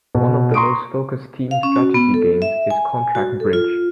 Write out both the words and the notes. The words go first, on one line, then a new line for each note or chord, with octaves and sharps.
One of the most focused team strategy games is contract bridge.
B2
A#5 C6 C#6 D#6 D7
F5
C#4
F#4
B3
A4
E5
G#5
F#4
A4
F4